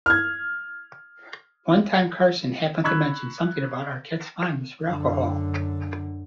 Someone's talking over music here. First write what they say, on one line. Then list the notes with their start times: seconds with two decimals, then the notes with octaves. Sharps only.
One time Carson happened to mention something about Arquette's fondness for alcohol.
0.06 F6 G#6
2.84 A#5 B5 C#6 E6 F#6 G#6
4.85 F#2 D3